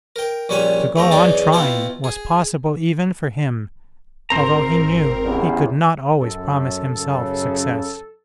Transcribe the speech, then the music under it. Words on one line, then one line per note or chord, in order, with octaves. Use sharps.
To go on trying was possible even for him, although he knew he could not always promise himself success.
A#4 G5
A#1 G3 C#4 F#5 G#5 C#6
E2 A3 G5 A#5
E2 F#3 D#4 G#4 D5 D6
B2 E4 F4 F5 G5
G#4
G#1 C4 A#4 C5 A#5
A1 E2
F#2 A4
F#2 C#3